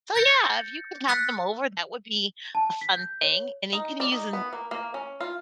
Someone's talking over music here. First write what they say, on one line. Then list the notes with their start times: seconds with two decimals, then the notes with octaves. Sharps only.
So, yeah, if you can have them over, that would be a fun thing. And you can use an
0.15 G6 A6 A#6 C#7
1.08 E6 F#6 A6 B6 C#7
2.55 A5
2.81 B6
2.96 G6
3.23 C#5
3.73 D#4
4.00 D5
4.12 D#4
4.33 B3
4.53 A#3
4.71 A#3
4.94 C#4
5.21 F4